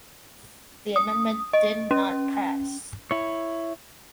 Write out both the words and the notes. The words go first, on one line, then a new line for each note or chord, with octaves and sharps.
The amendment did not pass.
D#6
D#5
C#4
E4 C#5